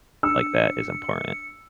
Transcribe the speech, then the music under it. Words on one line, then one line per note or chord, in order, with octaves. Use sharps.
like that is important.
D4 E6 C#7